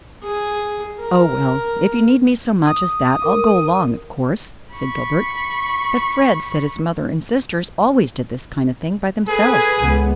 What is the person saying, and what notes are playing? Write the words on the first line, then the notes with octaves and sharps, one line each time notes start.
"Oh, well, if you need me so much as that I'll go along, of course," said Gilbert, "but Fred said his mother and sisters always did this kind of thing by themselves."
G#4
A#4
D#6
A#4 D6
B5 C#6
G#4 A4 B4 G#5
C#2 B3